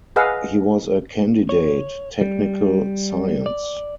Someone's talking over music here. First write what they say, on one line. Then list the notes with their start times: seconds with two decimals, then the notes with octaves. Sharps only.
He was a candidate technical science.
0.16 G#4 B4 D#5 F5 F#5 E6
1.49 C#5
2.21 G3
3.46 D5